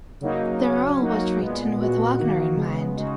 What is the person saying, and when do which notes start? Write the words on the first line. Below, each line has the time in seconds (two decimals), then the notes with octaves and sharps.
The role was written with Wagner in mind.
0.21 C#3 F#3 A#3 D#4
0.61 C#3 F#3 C#4
1.00 F#3 A#3 D#4 F#4
1.39 A#2 G#3 B3
1.78 A#2 G#3 B3 F#4
2.18 D#3 A#3 D#4 F#4
2.57 C#3 G#3 B3
2.96 C#3 G#3 D#4 F#4